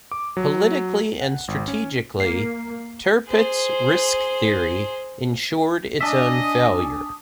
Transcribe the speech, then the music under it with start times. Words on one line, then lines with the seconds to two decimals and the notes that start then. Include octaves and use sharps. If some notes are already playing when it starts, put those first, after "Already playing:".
Politically and strategically, Tirpitz's Risk Theory ensured its own failure.
0.11 D6
0.37 F#3
1.21 F#5
1.48 G#1
1.68 C#4
2.20 A#3 C7
3.28 G#4 C5
6.01 D4 D#5 E5 G#5 D#6